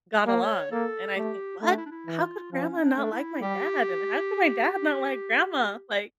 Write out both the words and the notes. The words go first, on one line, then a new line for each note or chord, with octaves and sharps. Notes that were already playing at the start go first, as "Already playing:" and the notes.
got along, and I think, "What? How could grandma not like my dad? And how could my dad not like grandma? Like"
A#3
C#5
A#3 A4
A3 G4
A3 E4
D4
E4
D4
E4
E3
F4
F3 C#4
D4
A3
E4
G3 G4